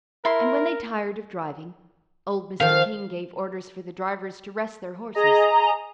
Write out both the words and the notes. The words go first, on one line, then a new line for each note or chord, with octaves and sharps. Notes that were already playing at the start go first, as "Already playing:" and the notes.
And when they tired of driving, old Mr. King gave orders for the drivers to rest their horses.
E4 A#4 C6
D#3 F3 F5
G#4 D#5 A#5